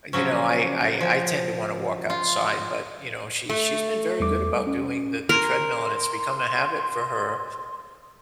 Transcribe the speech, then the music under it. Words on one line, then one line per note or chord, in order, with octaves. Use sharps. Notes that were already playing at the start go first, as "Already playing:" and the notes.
uh, you know, I I I tend to wanna walk outside, but, you know, she's she's been very good about doing the the treadmill and it's become a habit for her,
C#3 F3 F#3 C#4
F3
F4
A3
E2 G3 D6
C#4
A#4 C6